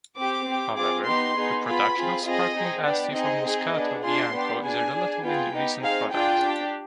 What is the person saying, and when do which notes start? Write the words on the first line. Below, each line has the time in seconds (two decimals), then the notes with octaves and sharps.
However, the production of sparkling Asti from Moscato Bianco is a relatively recent product.
0.16 C4 G4 D6
0.46 C4 G4
0.76 C4 F4 G#4 D6
1.05 B3 D#4 G4 C6
1.35 B3 D#4 G#4
1.65 B3 F4 G#4 B5
1.95 C4 F4 G#4
2.25 C4 F4 G#4 D#5
2.55 C4 D#4 G#4
2.84 B3 D4 G4 D5
3.14 C4 D#4 G#4 D#5
3.44 C4 D#4 G#4
3.74 B3 D4 G#4
4.04 D4 F4 G#4 C6
4.33 B3 D4 G4
4.63 D4 G#4 G#5
4.93 D4 G#4
5.22 B3 F4 G#4 G5
5.52 B3 D#4 G4
5.82 C4 D#4 G#4 F5
6.12 D4 F4 G#4 G5
6.42 D4 G4